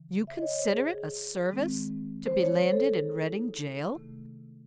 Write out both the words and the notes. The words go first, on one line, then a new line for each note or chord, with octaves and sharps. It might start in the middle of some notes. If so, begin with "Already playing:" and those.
'You consider it a service to be landed in Reading gaol?'
Already playing: C#3 E3
E5
D#5
C#5
C5
G#4
D#3 G#3 C4
C5
C#5
C5
A4
G#4
E4
D#4
C3 D#3 A3